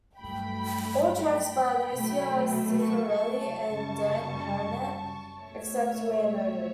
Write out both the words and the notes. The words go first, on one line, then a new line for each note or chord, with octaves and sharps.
All tracks by Lucia Cifarelli and Dan Harnett except where noted.
G2 F#3 A3 G5 B5
G5 B5
B2 F#3 A3
A5 C#6
A5 C#6
A5 C#6
F#2 C#3 G3
B2 A3 C#5 E5